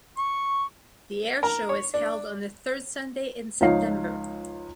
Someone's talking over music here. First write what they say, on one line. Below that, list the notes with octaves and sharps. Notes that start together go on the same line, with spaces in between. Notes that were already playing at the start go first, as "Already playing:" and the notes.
The air show is held on the third Sunday in September.
C#6
A#4
C#5
D4
C#2 F3 D#4 C#5 F5 C7